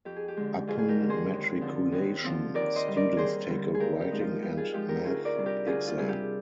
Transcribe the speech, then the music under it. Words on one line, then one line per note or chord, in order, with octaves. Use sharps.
Upon matriculation, students take a writing and math exam.
F2 G4
G#4
G4
D3 G#3
F2 F4 G#4
G#4
G4 A#4
D3 G#3
G#4 C5
D#2
D3 F3 C4
D#2
D3 F3 C4
D#2 A#4 D5
C5 D#5
D3 G3
A#4 D5
D#2 G#4 C5
D3 G3
G#4
G2 G4 A#4
G4
F3 G#3 D#4
F4
G2 G4
F4 G#4
F3 G#3 D#4 G4
G4 A#4
D2 F4 G#4
A#4 D5
C3 G3 D4
G4 A#4
D2 F4 G#4
F4
C3 G3 D4 G#4
G4